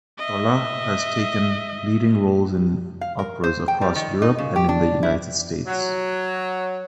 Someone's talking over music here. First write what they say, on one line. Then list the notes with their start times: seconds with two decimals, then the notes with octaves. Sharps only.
Tola has taken leading roles in operas across Europe and in the United States.
0.18 D#5 E5
3.01 F5
3.19 A#4
3.44 C5
3.68 G5
3.81 G3
3.95 D#3
4.22 D#4
4.38 C#3
4.56 G4
4.69 D4
5.03 E4
5.66 F#3